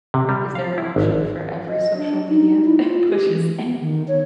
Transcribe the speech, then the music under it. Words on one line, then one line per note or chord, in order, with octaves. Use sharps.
is there an option for every social media pushes
C3
G3
F5
E4
G#1
D#5
D4
D#4
E4
F4
G4
E3
B3
D#3
C#5